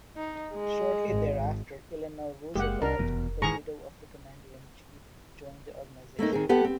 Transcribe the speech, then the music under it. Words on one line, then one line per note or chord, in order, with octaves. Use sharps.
Shortly thereafter, Eleanor Roosevelt, the widow of the Commander-in-Chief, joined the organization.
D#4
G#3
G#1
F#1 G#3 A#3 G4 F#5
C2 D4 A#4
F1 E2 B2
G#2 D#3 E3 G#4 A#5 C#6
A3 A#3 C4 D#4
D#3 C4 G#4
B3 G4 A4 F#5
C4